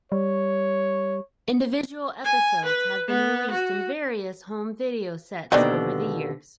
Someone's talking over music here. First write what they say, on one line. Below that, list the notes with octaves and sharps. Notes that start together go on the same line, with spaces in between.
Individual episodes have been released in various home video sets over the years.
G3 C#5
G#5
B4
B3
F#4
D#2 B2 D3 C4 D4 D#4